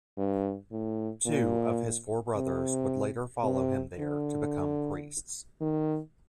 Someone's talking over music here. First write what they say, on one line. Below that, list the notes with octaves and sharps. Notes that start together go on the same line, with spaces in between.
Two of his four brothers would later follow him there to become priests.
G2
A2
A#2
C3
C3
D3
D#3